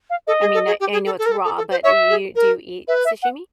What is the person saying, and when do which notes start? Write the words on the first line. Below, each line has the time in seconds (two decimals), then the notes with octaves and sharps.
I mean, I I know it's raw, but you you do you eat sashimi?
0.10 F5
0.27 A4 D#5
0.40 G#4
0.54 A4
0.66 G#4
0.80 G4
0.92 G#4
1.05 A4
1.18 A4
1.26 A#4
1.31 A4
1.44 A4
1.57 A4
1.70 C5
1.83 C#5 E5
2.10 G#4
2.35 A#4
2.87 B4 E5
3.05 E5
3.23 F#5